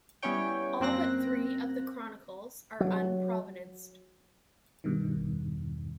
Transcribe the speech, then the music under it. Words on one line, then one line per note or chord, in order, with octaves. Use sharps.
All but three of the chronicles are unprovenanced.
G3 B3 C#4 E4 C#5 G5
F#2 A#3 C4 F#6 A#6
F#3
G2 B2 D#3
A1
E2